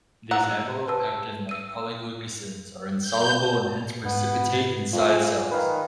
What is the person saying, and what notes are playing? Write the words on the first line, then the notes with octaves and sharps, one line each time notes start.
These amylopectin-like polyglucosans are insoluble and hence precipitate inside cells.
F#5 A#5 E6
B4 A5 E6
E6 D#7
G6
G#2 B3
F2 F4
G#4
D#3 B4 F5